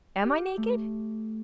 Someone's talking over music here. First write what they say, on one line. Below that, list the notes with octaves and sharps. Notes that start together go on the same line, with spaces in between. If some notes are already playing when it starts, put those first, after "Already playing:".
'Am I naked?
G4
A3